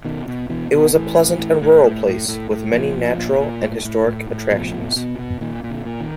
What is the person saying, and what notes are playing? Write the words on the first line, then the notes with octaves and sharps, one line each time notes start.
It is a pleasant and rural place with many natural and historic attractions.
B2 D#3
B2
B2 E3
B2
A2 E3
A2
A2
A2
A2
A2
A2
A2
A#2 F3
A#2
A#2
A#2
A2
A2
A2
A2
B2 F3
B2
B2
B2
A#2 D#3
A#2
D3
A#2
D#3